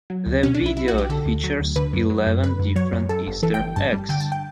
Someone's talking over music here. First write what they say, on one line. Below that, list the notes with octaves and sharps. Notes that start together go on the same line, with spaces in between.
The video features eleven different Easter eggs.
F#3
D2
B2 C#4
D4
B1
E4
F#3 E4
F#4
B1
G4
D3 A4
D2
F#3
D2
D3 B4
F#2
F#3
F#2
D3 B4
F#2
F#3 C#5
F#2
F#2 A4
G1
E3 A4
G5
G1
G2 A5
G3
D3 G5
A5
G5